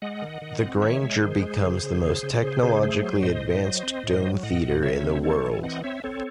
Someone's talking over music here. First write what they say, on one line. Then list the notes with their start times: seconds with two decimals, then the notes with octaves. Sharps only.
The Grainger becomes the most technologically advanced dome theater in the world.
0.02 G#3 D#5 F#5
0.22 D#3
0.42 D#3
0.62 C4
0.82 D#3 C#5 E5
1.03 G#3
1.22 D#3 G#4 C5
1.42 G#3
1.62 C#3
1.83 C#3
2.03 C#3
2.23 C#3
2.43 C#3 G#4 C5
2.63 C#3 G#4 C5
2.83 A3 G#4 C5
3.03 F#3
3.23 A2 C5 D#5
3.43 A2
3.63 F#3
3.83 C4
4.03 A2
4.23 F#3
4.43 A2 D#5 F#5
4.63 A2
4.83 C#3 C#5 E5
5.04 C4
5.23 E3 A4 C#5
5.44 E3
5.63 C4 D#5 F#5
5.84 C4 C#5 E5
6.04 C4 A4 C#5